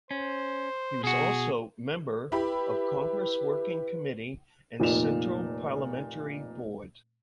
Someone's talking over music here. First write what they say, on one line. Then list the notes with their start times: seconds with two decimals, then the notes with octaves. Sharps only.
He was also member of Congress Working Committee and Central Parliamentary Board.
0.11 C#4 C5
1.03 B2 F#4 G#4
2.32 E4 G4 B4 B5
4.80 F1 A#2 D#4 F4 E7 F7